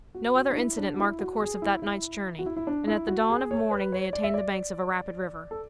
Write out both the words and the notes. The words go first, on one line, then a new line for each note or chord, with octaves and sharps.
No other incident marked the course of that night's journey, and at the dawn of morning they attained the banks of a rapid river.
F#4
F#4
D4
E4
D4
F#4
E4
F#4
G#4
E4
E4
F#4
E4
E4
D4
E4
F#4
G#4
C#5
B4
C#5
D5
E5
D5
A4